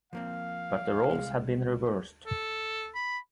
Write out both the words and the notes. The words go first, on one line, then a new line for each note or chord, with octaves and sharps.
But the roles had been reversed.
F3 A#3 C4 F5
C2 G2 G#3
A4
B5